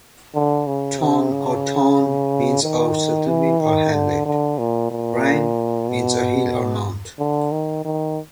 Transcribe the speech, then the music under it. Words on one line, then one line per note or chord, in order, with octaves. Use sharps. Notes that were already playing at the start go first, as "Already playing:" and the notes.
"Tun" or "ton" means a settlement or hamlet, "rhyn" means a hill or mount.
D3
C#3
C3
C#3
D#3
E3
D#3
D3
D3
A#2
A#2
B2
D3
D#3
D#3